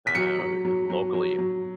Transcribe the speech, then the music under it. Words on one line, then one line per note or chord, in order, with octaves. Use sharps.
uh, eh, locally.
B6
F#3 C#7
F#3
F#3
F#3
F#3
F#3